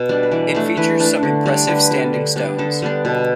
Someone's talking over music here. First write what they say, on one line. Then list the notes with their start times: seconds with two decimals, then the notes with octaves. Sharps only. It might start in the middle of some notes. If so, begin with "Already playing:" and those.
It features some impressive standing stones.
Already playing: B2
0.09 G3 D4
0.23 B4
0.31 E3 D5
0.55 A3 D4
0.77 E3 B4
1.00 A3 D4
1.23 D3
1.46 G3 D4
1.68 D3 B4
1.91 G3 D4
2.14 D3
2.36 G3 B3 D4
2.58 D3 A4
2.82 G3 B3 D4
3.05 B2